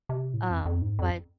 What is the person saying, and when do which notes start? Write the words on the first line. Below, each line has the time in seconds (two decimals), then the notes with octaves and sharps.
Um, but
0.09 C3
0.34 A2
0.50 F2
0.66 F2
0.82 G#2
0.99 F2